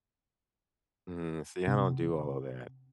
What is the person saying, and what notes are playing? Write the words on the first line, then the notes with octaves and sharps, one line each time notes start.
Mm, see, I don't do all of that.
C3